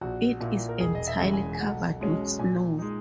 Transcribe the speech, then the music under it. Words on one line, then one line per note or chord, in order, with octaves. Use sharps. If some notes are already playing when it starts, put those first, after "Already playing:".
It is entirely covered with snow.
A#1 F#4
A#2 A#3 E4
A#4
E1 G#4
D#5
E5
E2 C#3 G#3
G#5
G#5
B1 F#5
B2 G#3 C#4
A#2 G#5
G#3 D#4